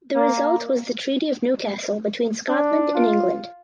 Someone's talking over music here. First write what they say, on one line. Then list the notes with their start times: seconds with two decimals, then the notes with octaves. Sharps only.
The result was the Treaty of Newcastle between Scotland and England.
0.16 A#3
2.49 D4
2.95 F4